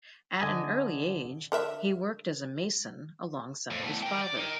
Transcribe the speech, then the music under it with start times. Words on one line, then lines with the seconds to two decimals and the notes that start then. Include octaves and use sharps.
At an early age, he worked as a mason alongside his father.
0.41 D3 D#5 G#5
1.52 D3 A#4 E5
3.70 F2
3.84 E2 A3
4.03 A#4 G5
4.21 D5
4.37 D#4 A#4